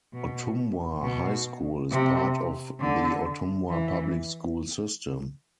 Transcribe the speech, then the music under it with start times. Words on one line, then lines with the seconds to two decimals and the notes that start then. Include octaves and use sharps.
Ottumwa High School is part of the Ottumwa public school system.
0.13 B2
1.02 B2
1.91 C3
2.80 D3
3.69 E3